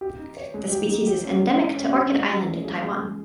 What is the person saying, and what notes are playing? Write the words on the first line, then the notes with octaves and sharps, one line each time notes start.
The species is endemic to Orchid Island in Taiwan.
G4
D#4
C#5
G#3
G4
D#4
G4
C#4
G#3
C#4
C#4
G4
G#3
F3
C#4
G#4
G#3
G#3